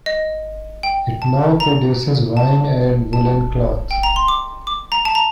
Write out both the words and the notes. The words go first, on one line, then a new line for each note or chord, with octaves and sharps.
It now produces wine and woollen cloth.
D#5
G5
A5
A#5
A5
A5
G5
A#5
C6
D6
D6
A#5
A5
A#5